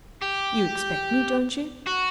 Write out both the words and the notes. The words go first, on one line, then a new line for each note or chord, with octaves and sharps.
'You expect me, don't you?'
G4
F#4